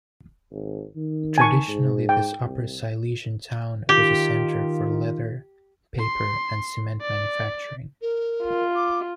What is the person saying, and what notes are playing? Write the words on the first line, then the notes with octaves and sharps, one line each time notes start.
Traditionally this Upper Silesian town was a centre for leather, paper and cement manufacturing.
G#1
D#3
G#5 A5 C#6
G#2
G5
C2
D#3 F4 G4
C6
D5
A#4
F4
D6